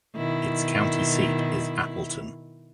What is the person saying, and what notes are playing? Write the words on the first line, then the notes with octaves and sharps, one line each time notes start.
Its county seat is Appleton.
B2 D#3 E4